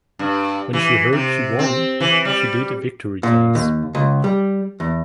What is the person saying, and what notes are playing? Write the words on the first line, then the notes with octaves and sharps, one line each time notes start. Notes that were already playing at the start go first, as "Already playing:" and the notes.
When she heard she won, she did a victory dance.
G2
E3
C3
C4
E3
G3
A#2
D#2
C#2
G3
E2